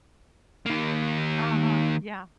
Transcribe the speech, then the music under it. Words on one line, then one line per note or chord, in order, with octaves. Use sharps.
Uh-huh, yeah,
D#3 A#3